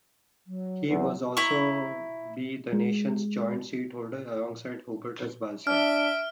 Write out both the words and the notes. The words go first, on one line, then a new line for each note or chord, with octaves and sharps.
He was also be the nation's joint seat-holder, alongside Hubertus Bahlsen.
F#3
E2 F#3
E4 A#5 C#6
G#3
D4 E5 F6 D7